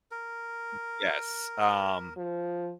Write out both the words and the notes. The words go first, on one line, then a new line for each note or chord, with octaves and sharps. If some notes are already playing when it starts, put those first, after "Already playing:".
Y yes, um,
A#4
F3